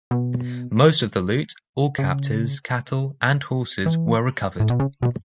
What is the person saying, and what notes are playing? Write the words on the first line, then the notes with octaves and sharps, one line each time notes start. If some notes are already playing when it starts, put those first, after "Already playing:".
Most of loot, all captives, cattle and horses were recovered.
B2
C#3
E3
A2
B2
C#3
B2